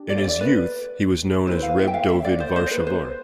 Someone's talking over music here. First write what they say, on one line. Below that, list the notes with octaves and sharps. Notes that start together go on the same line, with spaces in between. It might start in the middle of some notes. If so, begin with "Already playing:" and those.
In his youth, he was known as "Reb Dovid Warshawer".
Already playing: D4 G4
D5
E5
D5
B4
E4 B4 C5
F5
E5
G5
F5
E5
D5
C5
C5
B4
C5